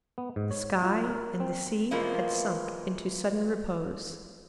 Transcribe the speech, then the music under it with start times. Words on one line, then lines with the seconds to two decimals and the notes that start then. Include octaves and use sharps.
The sky and the sea had sunk into sudden repose.
0.18 B3
0.36 G#2
0.51 C#5
0.82 F4
1.09 A#4
1.40 C4
1.91 B2 E3 F3 G#3 A#3